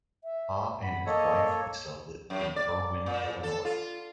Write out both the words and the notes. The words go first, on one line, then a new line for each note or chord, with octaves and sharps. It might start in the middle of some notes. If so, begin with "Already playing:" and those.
Ha and his wife Lisa live in Berwyn, Illinois.
E5
F#5 B5
A#3 A4 C#5 D#5
F#2
D5
A#2
A4
F4